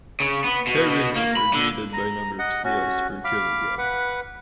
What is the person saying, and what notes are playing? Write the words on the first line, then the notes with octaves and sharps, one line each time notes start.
Periwinkles are graded by number of snails per kilogram.
C#3
B3
B2
B2
A#3
B5
D3
A#5
D#5 F#5
C#4 F#4
F5 B5 D6
B4 F#5